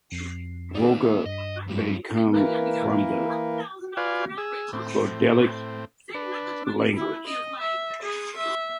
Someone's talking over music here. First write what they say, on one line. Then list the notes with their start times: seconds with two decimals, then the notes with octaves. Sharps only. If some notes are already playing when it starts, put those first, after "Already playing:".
"Roca" may come from the Goidelic language.
0.12 F2 C7
0.75 A#3 D#4 D5
1.04 A4 E5
1.26 G2 D#5
1.67 F#2 G3
2.32 E3 A#3 A#4 B4
3.97 F4 B4 D5 F5 G#5
4.38 G#4 E6
4.73 A2 C4
6.14 D4 B4
6.96 E4
7.27 D#5
7.61 E5
8.03 G#4
8.37 E5